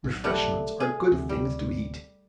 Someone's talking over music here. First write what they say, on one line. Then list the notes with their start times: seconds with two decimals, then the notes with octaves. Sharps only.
"Refreshments are good things to eat!"
0.04 B1
0.24 G3 A3 F#5
0.80 G#4
1.12 D2 C3
1.29 G3